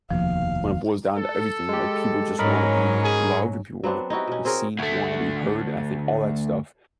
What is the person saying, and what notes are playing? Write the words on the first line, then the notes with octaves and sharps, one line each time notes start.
when it boils down to everything, like, people just wanna be loved, and people wanna be seen, people wanna be heard, and I think all that stuff
F1 D#2 B2 F3 F5
A4
G#3 G4
G#2 F#3 C#4 A#4 D#5 B5
G#4
F#3 B3 C4 D4
D#4 E4 F#4 G4
B2 C#4
C4 G#4 A#4 C#5
D2 A3